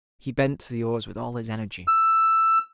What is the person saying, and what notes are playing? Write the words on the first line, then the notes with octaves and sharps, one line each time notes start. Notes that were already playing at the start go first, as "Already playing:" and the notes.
He bent to the oars with all his energy.
E6